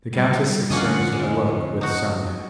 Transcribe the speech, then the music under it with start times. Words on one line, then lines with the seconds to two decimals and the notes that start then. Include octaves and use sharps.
The countess exchanged a look with Sonya.
0.13 G3
0.70 D3 F3 A#3 C#4 F4 D#5 F#5
1.12 F2 G#3
1.81 D#4 F#4